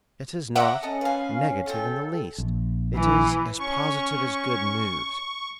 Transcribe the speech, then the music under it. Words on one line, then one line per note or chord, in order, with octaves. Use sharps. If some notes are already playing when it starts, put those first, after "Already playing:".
It is not negative in the least; it is as positive as good news.
C#5 E5 F#5 A#5 D6
C#4 A4 D#5
B4 F5 G#5
F4 A4 G5
A#1
E3
C#4 C#6